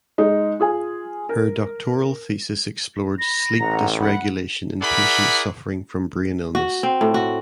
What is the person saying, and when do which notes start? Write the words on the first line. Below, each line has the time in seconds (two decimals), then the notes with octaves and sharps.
Her doctoral thesis explored sleep dysregulation in patients suffering from brain illness.
0.18 G#3 D#4
0.60 F4 G#4 G#5
1.29 A#4
3.19 B5 A#6
3.60 A1 F#5 A#5
4.00 F#5 B5
4.82 E4 G#4 A#4 D5 F#5 B5
6.55 F#4
6.83 C4
7.01 A2
7.14 F#4